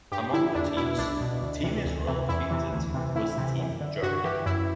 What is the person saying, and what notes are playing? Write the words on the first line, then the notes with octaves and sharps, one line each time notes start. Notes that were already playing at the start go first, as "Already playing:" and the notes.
Among the teams Team Israel defeated was Team Germany.
G2 G4
D3 E4
E2 D4
B2 E4
C2 D4
B2
D2
C3 E3
D2
C3 E3
E2 E4
C3 E3
D2
C3 E3
D2 E4
C3 E3
F#2
D3
G2 F#4
E3 G4
F#2 E4